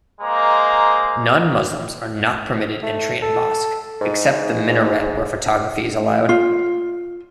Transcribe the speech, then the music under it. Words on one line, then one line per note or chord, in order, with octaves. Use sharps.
Non-Muslims are not permitted entry in mosque, except the minaret where photography is allowed.
G#3 A#3 C5 D#5 A#5
A3
A4
G#2
F4